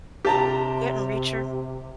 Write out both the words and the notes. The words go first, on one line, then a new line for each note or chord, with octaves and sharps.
Didn't reach her.
C3 G4 A5 A#5